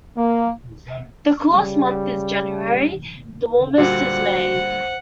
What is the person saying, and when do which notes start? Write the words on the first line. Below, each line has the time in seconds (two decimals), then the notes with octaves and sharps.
The coolest month is January; the warmest is May.
0.17 A#3
1.49 C#3 G3
3.78 A#2 D3 G3 F#4 C5 F#5